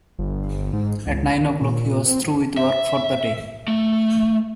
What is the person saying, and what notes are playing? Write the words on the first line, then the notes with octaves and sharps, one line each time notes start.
At nine o'clock he was through with work for the day.
G1
G#2
C#2
D#3
A#2
C4
E5
A3